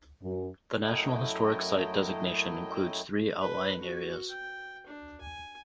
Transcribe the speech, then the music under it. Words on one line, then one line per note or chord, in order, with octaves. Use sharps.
The National Historic Site designation includes three outlying areas.
F#2
F#2 F#3 A3 E4 D#5 G5
B4
F#4
G5
D4
G#5